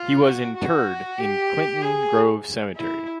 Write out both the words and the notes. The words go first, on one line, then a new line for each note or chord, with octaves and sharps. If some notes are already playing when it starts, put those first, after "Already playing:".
He was interred in Clinton Grove Cemetery.
Already playing: F4
F#4
F#4
G4
G#4
E4